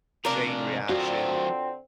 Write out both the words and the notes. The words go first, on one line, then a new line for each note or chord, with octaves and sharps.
chain reaction.
C3 D4 F4 A#4
D3 F#3 C4 F4 F#4 C5